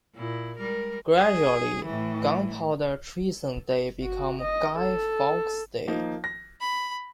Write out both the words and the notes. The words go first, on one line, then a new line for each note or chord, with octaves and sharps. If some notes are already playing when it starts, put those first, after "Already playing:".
Gradually, Gunpowder Treason Day became Guy Fawkes Day.
A#2 E4
G3 G#3 A#4
G#4
A2 E3
F#4
D#5
A4
F3 A#3 D#4
A#6
B5